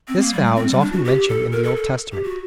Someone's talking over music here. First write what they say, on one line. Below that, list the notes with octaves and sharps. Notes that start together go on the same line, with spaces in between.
This vow is often mentioned in the Old Testament.
C4
A#3
G3
A3
C4
G3
D4
F#4
G4
A4
A#4
A4
A4
G4
F#4